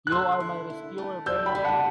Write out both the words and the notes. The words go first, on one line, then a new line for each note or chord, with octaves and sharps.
You are my rescuer, Bernat!
F#6
D3 C6 E6
E4
E4
A3
G3 E6 G6
G5 B5
G3
F#5 A5